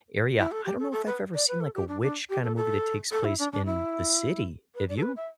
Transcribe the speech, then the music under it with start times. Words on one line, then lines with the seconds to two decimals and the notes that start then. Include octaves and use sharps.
area. I don't know if I've ever seen, like, a witch kinda movie that takes place in the city. Have you?
0.39 E4
0.52 A4
0.65 G4
0.80 A4
0.92 A4
1.06 B4
1.34 D5
1.48 B4
1.60 A4
1.75 G4
1.88 D4
2.03 D4
2.30 G4
2.44 A4
2.56 A4
3.11 A4
3.24 E4
3.39 D4
3.52 D4
3.66 E4
4.75 B4
4.89 D5
4.97 A4
5.03 B4
5.16 E5